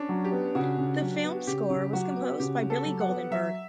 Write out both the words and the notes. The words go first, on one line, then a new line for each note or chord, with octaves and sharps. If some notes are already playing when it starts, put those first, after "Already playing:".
The film score was composed by Billy Goldenberg.
Already playing: C#4 D4
F#3
G4
B3
C#3 F#4
C#3
F#3
B3
C#3 G4
C#3
F#3 F#4
B3
C#3 G4
C#3
A4
F#3
F#5
B3
F#3 E5